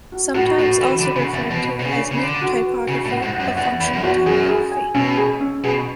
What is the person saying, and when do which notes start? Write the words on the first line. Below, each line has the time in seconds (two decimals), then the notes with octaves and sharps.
Sometimes also referred to as "New Typography" of "Functional Typography".
0.12 F#4
0.35 A2 F#4
0.58 A2 F#4
0.81 E3 B5
0.99 D3
1.04 B5
1.16 C#3
1.27 F#5
1.33 E2
1.50 B2 F#4
1.74 B4
1.80 B2
1.85 C#3
1.96 D4
2.11 C#3
2.19 D3 D4
2.42 F#4
2.65 B4
2.88 C#3 F#4
3.05 A2
3.11 F#5
3.23 G#2
3.35 F#2 F#5
3.57 E2 F#5
3.80 E2 B5
3.93 F#2
4.03 E2 F#4
4.26 F#2 G#4
4.49 G#4
4.72 G#5
4.95 B2 C#4
5.17 G#4
5.41 C#4
5.64 B2 G#4